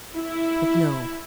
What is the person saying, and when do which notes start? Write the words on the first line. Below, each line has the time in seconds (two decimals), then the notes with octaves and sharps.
But no.
0.15 E4